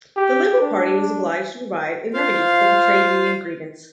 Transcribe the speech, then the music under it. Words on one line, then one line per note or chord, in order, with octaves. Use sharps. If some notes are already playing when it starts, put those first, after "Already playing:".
The Liberal Party was obliged to provide a remedy for the trade union grievance.
G4
D4
F4 C5 F5